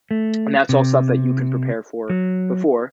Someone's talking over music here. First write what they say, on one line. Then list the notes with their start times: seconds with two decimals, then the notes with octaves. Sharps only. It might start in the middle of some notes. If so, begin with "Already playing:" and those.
and that's all stuff that you can prepare for before,
0.11 A3
0.69 C3
2.10 F#3